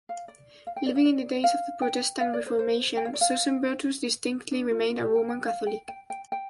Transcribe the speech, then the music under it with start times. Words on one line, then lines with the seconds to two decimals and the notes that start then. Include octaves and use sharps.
Living in the days of the Protestant Reformation, Susenbrotus distinctly remained a Roman Catholic.
0.09 F5
0.28 D5
0.67 F5
0.76 G5
0.86 D5
0.96 F5
1.05 D5
1.44 F5
1.82 G5
2.20 F5
2.33 D5
2.46 C5
2.59 C5
2.97 G5
3.05 F5
3.13 D5
3.21 F5
4.51 D4
4.71 F4
4.90 F4
5.03 G4
5.16 G5
5.28 G5
5.48 F5
5.67 G5
5.89 G5
6.10 G5
6.32 G5